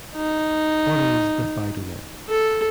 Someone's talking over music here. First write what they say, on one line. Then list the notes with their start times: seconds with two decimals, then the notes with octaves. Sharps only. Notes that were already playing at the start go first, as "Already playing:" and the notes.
What is the "FidoNet"?
0.16 D#4
2.29 A4